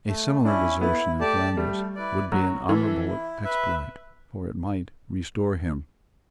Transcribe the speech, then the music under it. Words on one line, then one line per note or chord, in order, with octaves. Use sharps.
A similar desertion in Flanders would be an honourable exploit; for it might restore him.
A3
C#4 D4 E4
B3 E4
A3 G4 D5 A5
G3 A3
E4 B4 D5
F#3 F#4
E3 A4 E5
E4
B4 E5